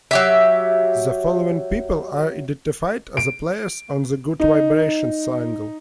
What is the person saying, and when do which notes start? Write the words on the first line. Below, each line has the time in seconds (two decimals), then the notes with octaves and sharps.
The following people are identified as players on the "Good Vibrations" single.
0.11 F#3 G4 E5
3.17 D7
4.40 D#4